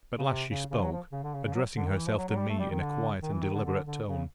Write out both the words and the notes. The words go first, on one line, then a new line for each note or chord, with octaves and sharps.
At last she spoke, addressing herself to me in a quiet and deliberate tone.
C#3
C3
C#3
C#3
F#3
F3
C#3
D3
C#3
C#3
F#3
D3
D#3
E3
F3
F#3
F#3
G3
A3
G3
D#3
D3
D#3
E3
D#3
D3
D3
D3
C#3